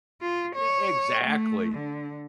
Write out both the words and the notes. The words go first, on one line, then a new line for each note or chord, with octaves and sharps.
Yeah, exactly.
F4
C#5
A3
D3